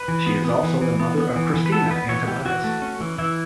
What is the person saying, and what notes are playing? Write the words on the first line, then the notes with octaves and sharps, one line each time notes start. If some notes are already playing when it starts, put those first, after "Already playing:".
She is also the mother of Christina and Tobias.
Already playing: B4
E3
B3
B3
E3
E3
B3
B3
E3
E3
B4
B3 A4
B3 B4
E3 C#5
E3 G4
E3 F#4
A3
C#4
E3
E3 E4